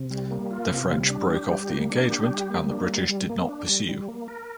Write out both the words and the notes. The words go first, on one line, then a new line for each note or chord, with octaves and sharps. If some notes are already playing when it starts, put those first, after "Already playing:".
The French broke off the engagement and the British did not pursue.
Already playing: C3
G3
A#3
F4
C3
G3
D4
G4
G3
A#3
D4
G4
G3
A#3
D4
G3
G3
A#3
D4
G3
G3
A#3
A#4